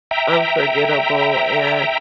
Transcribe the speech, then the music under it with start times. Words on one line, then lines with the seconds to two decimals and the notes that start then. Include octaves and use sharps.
unforgettable, and
0.11 E5 G5 A#5